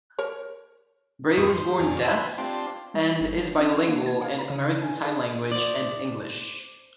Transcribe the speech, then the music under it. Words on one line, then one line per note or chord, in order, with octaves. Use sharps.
Bray was born deaf and is bilingual in American Sign Language and English.
A#4 C#5
F2 A2 C#6 D#6
C5
F2 C#4 D5 F6
B4 C5 E5
C4 D4 F4 G4
G3
G1
F#3
C#4
D4
A#3
G#6
F5
A#5
C#3
G#5
G#4
C5 D5